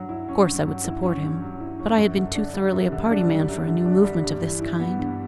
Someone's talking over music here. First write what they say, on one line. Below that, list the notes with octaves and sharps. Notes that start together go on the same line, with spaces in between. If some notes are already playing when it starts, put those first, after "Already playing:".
Of course, I would support him, but I had been too thoroughly a party man for a new movement of this kind.
Already playing: G2 F#3
E4
C#4
G2
F#3
E4
C#4
G2
F#3
E4
C#4
F#2
D3
D4
G3
F#2
D3
D4
G3
F#2
D3
D4
G3
G2
E3
E4
B3
G2